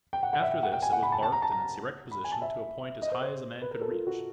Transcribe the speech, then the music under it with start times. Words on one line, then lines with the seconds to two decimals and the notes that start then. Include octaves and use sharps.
After this it was barked in its erect position to a point as high as a man could reach.
0.13 G5
0.23 F#5
0.33 F#5
0.42 E5
0.63 F#5
0.72 G5
0.82 G#5
0.93 F#5
1.03 B5
1.12 A5
1.23 A5
1.32 A#5
1.42 A5
1.52 A#5
2.11 B5
2.24 G#5
2.32 A5
2.42 E5
3.02 D#5
3.12 C5
3.22 C5
3.62 B4
3.71 A#4
3.81 A4
3.91 F4
4.07 F#4